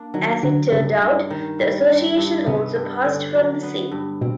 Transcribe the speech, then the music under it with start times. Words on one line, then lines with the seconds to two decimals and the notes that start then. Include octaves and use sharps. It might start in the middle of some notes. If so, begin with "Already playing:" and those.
As it turned out, the Association also passed from the scene.
Already playing: A#3 D4
0.14 D#3 F#3
0.43 D3 F#3
0.72 G2 C#3
1.02 G2
1.30 D#3
1.59 G3
1.88 G2
2.17 G2
2.46 C3 B3
2.75 G2
3.05 D3
3.35 F#3
3.63 B3
3.91 G2
4.21 B2 C4